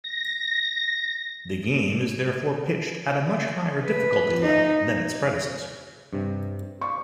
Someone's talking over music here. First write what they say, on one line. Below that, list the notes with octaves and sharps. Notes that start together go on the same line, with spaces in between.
The game is therefore pitched at a much higher difficulty level than its predecessor.
A#6
B4
D#4
G2 C3
C5 D5 F5 C#6